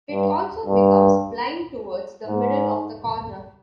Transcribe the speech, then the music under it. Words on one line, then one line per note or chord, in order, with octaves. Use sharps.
It also becomes blind towards the middle of the corner.
G2
G2
G#2